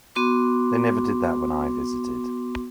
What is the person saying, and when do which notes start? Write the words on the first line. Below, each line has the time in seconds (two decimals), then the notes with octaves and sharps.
They never did that when I visited.
0.15 B3 F#4 C6 D6